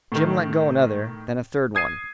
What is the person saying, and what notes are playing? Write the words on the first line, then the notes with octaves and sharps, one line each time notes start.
Jim let go another, then a third one.
A2 D#3
D#6 G#6 C7 D#7